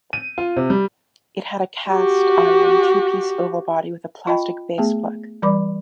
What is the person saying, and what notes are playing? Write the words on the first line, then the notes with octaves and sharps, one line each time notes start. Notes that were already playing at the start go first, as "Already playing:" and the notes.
It had a cast-iron two-piece oval body with a plastic base plug.
D#7
F4
C3
G3
F#4 G4
F4 D#5 G5 A5 B5
A3 B3 G#4 A5
E3 G3 D5 B5 D6